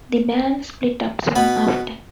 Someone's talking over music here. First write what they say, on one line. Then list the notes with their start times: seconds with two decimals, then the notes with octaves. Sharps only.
The band split up soon after.
1.35 B2 B3 B5